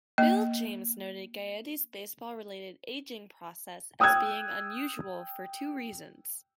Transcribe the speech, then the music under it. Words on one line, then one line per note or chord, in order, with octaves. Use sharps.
Bill James noted Gaetti's baseball-related aging process as being unusual for two reasons.
A#3 D#5
G5 D#6 E6 F#6 G#6